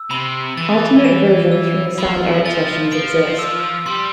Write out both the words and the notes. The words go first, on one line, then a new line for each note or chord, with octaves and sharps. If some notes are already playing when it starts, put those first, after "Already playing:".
Alternate versions from the Sound Art sessions exist.
Already playing: E6
C3 B5
E3 A6
E7
E6
F3 B5
F3 A6
F3 D7
E6
G3 C6